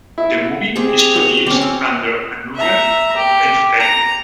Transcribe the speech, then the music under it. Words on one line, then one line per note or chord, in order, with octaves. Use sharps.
The Movie is produced under Anugrah Entertainment.
E4
C4 G4 G#4
F7
F#4
C4 C#4 D6
C6 E6
E5 A#5
G4
A#5